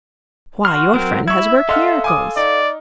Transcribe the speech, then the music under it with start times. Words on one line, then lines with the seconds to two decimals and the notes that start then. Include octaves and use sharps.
"Why, your friend has worked miracles."
0.65 F#4 C6 F6
0.94 F#3 C4 A#4
1.28 E4 E5 C#6 G#6
1.69 A4 D#5 F5 F#5 C6 F6
2.04 G#5 D6 D#6
2.36 D#4 D5